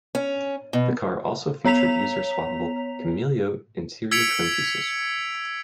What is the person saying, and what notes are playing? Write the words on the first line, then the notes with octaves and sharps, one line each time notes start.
The car also featured user swappable "Cameleo" interior trim pieces.
C#4
B2
B3 C#5 A#5 B6 F7
E6 G#6 B6 C#7 D7 F7